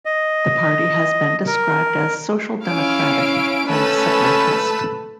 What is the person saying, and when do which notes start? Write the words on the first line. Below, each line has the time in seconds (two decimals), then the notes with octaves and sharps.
The party has been described as social-democratic and separatist.
0.05 D#5
1.46 A#4
2.66 C#4 E4 F5 D7
3.68 A3 C#4 B4 A5 B5